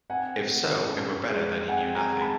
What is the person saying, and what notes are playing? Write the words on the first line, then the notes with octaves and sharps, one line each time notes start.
If so, it were better that he knew nothing.
C4 F#5 G#5
A3
C#4
G#3
C4 F#5 G#5
G#5 A#5
G#3
A5 B5